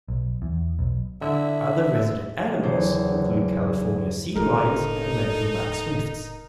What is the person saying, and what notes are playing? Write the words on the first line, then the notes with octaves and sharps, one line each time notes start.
Other resident animals include California sea lions and American black swifts.
B1
E2
B1
D3 E4
F#1 E2 C5
F1 A2 D#4 A4 A#4